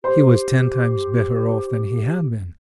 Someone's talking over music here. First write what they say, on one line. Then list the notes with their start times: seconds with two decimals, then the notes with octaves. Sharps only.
He was ten times better off than he had been.
0.04 G4 C5 C6